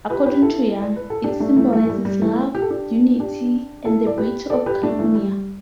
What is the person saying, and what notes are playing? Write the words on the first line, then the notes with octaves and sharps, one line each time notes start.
According to Young, it symbolizes love, unity, and the beauty of California.
G4 B4
G4 B4
E4 A4
D5
B4
A4
D4 G4
A3 D4
E3 A3
E3 A3
E3
G3
G3
E3 A3
G4
A4
D4 G4
D4 G4
E4 A4
D5
G4 B4
A4 D5
G4 B4
A3 D4
E3 A3
G3